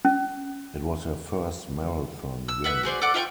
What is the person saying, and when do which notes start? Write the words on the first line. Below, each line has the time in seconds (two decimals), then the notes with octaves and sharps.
It was her first marathon win.
0.05 C#4
2.48 E6
2.64 B4 D5 E5 F#5
2.83 F#4 G#4 C5 D5
3.01 A4 D5 F#5 D6
3.14 F4 E5 G5 C#6